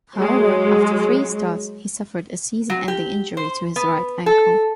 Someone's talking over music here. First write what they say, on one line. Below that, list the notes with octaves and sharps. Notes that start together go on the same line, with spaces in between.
However, after three starts, he suffered a season-ending injury to his right ankle.
F#3 G#3
F#3
G4
C5
B3
A4